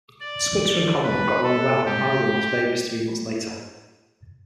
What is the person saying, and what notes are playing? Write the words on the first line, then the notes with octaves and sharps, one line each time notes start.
Switzer and Collingwood got along well and married in Las Vegas three months later.
D5
B4
A4
G4